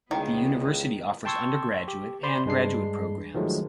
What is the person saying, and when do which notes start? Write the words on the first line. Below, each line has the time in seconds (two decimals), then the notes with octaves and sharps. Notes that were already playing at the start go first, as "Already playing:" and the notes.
The university offers undergraduate, and graduate programs.
0.11 C#2 D3 D#3 G#3 B3 E4 G5
1.25 G5 A5 C6 C#6 E6 G#6
1.88 G4
2.23 C5 D5 B5 C6
2.46 G2 G#3 D4 C7
3.34 D#3 F3 F#3 G#3 A3